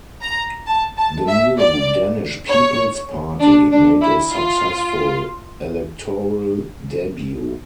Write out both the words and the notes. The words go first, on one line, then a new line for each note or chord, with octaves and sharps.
The new Danish People's Party made a successful electoral debut.
A#5
A5
A5
E5
D5
C#5
D4
D4
E4
F4